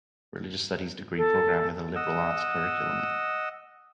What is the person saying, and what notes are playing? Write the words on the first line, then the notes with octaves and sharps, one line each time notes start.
Religious Studies degree program with a Liberal Arts curriculum.
A4
D#5 F#5 E6